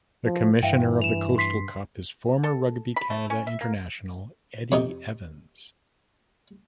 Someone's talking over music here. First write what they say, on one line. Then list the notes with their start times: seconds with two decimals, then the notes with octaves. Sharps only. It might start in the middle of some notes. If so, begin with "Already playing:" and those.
The commissioner of the Coastal Cup is former rugby Canada international Eddie Evans.
0.25 F3
0.63 G2 E3 E5 F5 G5
1.02 E7 F7
1.38 C6 B6 C7
2.43 A4
2.96 B5
3.10 A3
3.30 C#4
3.47 E5
3.61 A#3
4.72 F2 C3 D#4